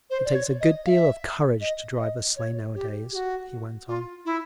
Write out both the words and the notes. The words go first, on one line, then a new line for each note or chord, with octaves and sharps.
"It takes a good deal of courage to drive a sleigh nowadays," he went on.
C5
D5
C#5
D#5
F5
E5
D#5
D#5
C#5
G4
G4
F#4
F4
E4